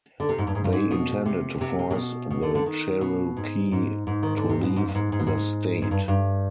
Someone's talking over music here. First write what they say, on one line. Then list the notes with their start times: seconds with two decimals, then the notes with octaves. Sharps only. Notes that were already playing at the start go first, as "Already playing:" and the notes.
They intended to force the Cherokee to leave the state.
0.20 D3
0.29 C3
0.38 G#2
0.47 G2
0.55 G#2
0.64 G2
0.73 G#2
0.91 B2
1.25 C3
1.61 C3
1.79 C3
1.91 C3
1.96 B2
2.31 B2
2.43 D3
2.55 D3
2.66 D#3
3.01 B2
3.37 G#2
3.72 G#2
4.07 G#2
4.23 D#3
4.37 D3
4.49 C3
4.63 B2
4.76 G#2
4.87 G2
4.95 G#2
5.12 G#2
5.19 B2
5.27 G#2
5.82 G#2
5.91 G2
6.08 G2